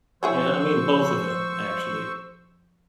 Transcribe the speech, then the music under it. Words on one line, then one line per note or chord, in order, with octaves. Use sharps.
Yeah, I mean both of them actually.
F2 E4 G#4 C5 C#5 C#6 E6